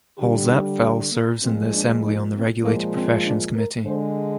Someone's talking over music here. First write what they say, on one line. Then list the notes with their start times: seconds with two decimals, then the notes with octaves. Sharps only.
Holzapfel serves in the Assembly on the Regulated Professions Committee.
0.19 D3 G3 G4
0.50 D#4
0.80 C4
1.11 A#3
1.41 A#2 F3 G#3 C4
1.72 D4
2.02 D#4
2.33 C4
2.64 A#2 F3 G#3 A#3
2.94 C4
3.25 D4
3.55 A#4
3.85 D3 G#3 C5